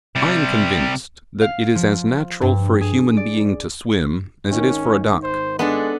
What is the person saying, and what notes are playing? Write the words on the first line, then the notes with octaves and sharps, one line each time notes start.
I am convinced that it is as natural for a human being to swim as it is for a duck.
C3 G3
F5
F3
G2
G#4
D5
G#1 G#2 D#3 C#4
C5
G#3 B3 D4 A4